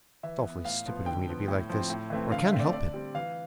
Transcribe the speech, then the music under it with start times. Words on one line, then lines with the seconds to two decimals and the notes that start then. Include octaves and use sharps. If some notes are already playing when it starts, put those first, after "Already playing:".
It's awfully stupid of me to be like this, but I can't help it.
0.23 E3 E5
0.45 B3
0.65 A2 F5
0.86 F3 B3
1.06 D3 G5
1.28 F3 B3
1.48 A2
1.69 F3 C4
1.90 A2
2.10 E3 A3 C4
2.31 D3 F5
2.45 E5
2.53 A3 C4
2.60 D5
2.73 D3 D5
2.94 G3 C4
3.15 E3 F5